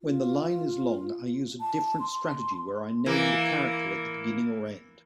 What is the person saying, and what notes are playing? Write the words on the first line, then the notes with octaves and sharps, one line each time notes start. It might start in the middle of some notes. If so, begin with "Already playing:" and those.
When the line is long, I use a different strategy where I name the character at the beginning or end.
F4
A5
C6
E3 A#3